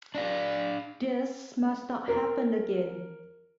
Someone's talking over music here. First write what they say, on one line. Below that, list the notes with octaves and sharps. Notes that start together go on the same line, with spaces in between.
This must not happen again.
D4 D5 F5
A#4